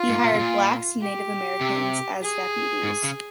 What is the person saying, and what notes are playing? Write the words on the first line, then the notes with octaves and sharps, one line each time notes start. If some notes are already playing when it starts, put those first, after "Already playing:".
He hired blacks and Native Americans as deputies.
Already playing: F4
G#2
A#2
C3
A#2
G4
C3
G#4
G#2
C#3